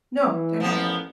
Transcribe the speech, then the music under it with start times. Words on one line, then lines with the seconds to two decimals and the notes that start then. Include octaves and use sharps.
No, they're not.
0.24 E3
0.60 A1 A#2 F3 B3